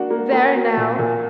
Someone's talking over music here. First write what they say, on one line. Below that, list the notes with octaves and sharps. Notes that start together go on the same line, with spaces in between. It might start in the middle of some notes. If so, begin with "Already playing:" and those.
There now!'
Already playing: A#3 D4 F#4
A#3
A#3
F#4
A#2
A#2